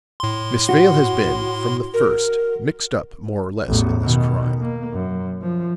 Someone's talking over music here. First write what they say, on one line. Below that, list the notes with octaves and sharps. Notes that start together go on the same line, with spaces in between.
Miss Vale has been from the first mixed up more or less in this crime.
A2 C6
F#4
A#4
A1 E2
B2 D#3
A#3
F#2
F3